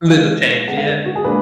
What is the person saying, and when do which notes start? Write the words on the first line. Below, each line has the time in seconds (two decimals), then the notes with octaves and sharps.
Little change, yeah;
0.06 D#5
0.11 F3 G#3 B3 D#4 F5
0.68 D3 G#3 B3 F#5
0.77 F5
0.87 A#4
1.06 F#4
1.16 G#4
1.24 A#2 G#3 D4 B4